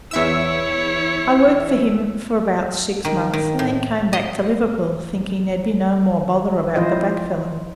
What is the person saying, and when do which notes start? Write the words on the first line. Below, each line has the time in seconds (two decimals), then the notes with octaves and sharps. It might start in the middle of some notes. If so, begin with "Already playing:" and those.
I worked for him for about six months, and then come back to Liverpool, thinking there'd be no more bother about the blackfellow.
0.11 E2 E4 C#5 E5 E6
3.05 D#3
3.33 D#3
3.59 A2
4.13 D#5
6.75 F3 E4 F4 C5 D#5